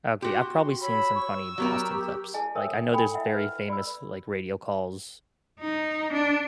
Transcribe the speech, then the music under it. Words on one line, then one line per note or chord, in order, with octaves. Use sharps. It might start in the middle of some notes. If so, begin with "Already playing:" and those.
Okay, I've probably seen some funny Boston clips. Like, I know there's very famous, like, radio calls
F#4 G4 C6
C#5 B5 E6
C#6
F#3 B3 G4 A#4
E4 G#4 D#5 G#5 A5
A#4 C#5 E5 G5 D#6 E6
A4 G5 G#5 B5
E4 D#5 E5 F#5
B4
D5 B5 D6 E6
D#4
D4